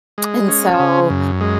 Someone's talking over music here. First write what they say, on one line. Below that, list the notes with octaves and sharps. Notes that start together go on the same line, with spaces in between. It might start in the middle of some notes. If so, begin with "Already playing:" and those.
And so,
G#3
C#4
C#3
F#2
G#3